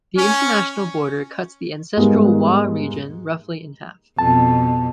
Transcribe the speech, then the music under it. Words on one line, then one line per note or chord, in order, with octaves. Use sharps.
The international border cuts the ancestral Wa region roughly in half.
C#4
G#2 G3 G#3 A#3 B3 D#4
F2 B2 A5